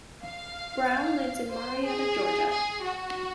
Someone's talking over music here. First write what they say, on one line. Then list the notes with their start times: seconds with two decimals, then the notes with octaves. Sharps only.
Brown lives in Marietta, Georgia.
0.23 F5
1.53 C5
1.86 G#4
2.51 G#4
2.84 F#4